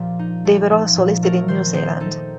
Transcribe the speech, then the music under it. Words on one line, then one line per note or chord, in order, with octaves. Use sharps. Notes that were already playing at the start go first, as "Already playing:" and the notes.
They were also listed in New Zealand.
Already playing: A#2 F3 G4
D#4
A3
F3
A#2
A3 A#4
D#3 C5
D#3 C5
D#4 A4